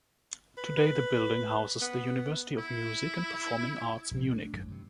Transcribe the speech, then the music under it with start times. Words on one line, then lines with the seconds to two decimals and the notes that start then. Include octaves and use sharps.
Today the building houses the University of Music and Performing Arts Munich.
0.57 B4
0.77 B4
1.81 B3
2.58 E4
4.11 A#1 C3
4.35 A3 D4
4.53 G#1 F#2 A2 F#3
4.68 G2 C3